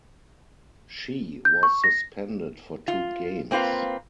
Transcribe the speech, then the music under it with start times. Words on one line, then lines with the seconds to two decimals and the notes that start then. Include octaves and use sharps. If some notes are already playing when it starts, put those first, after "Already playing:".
She was suspended for two games.
1.45 G6
1.63 C#6
1.84 A#6
2.88 F4
3.51 A#3 C4 F4 B4 F5